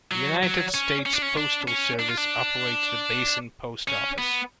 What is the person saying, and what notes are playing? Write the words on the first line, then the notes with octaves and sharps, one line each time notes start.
The United States Postal Service operates the Basin Post Office.
F#3
F#3
C#4
C#4
D4
C#4
D4
C#4
D4
F4
D4
C#4
B3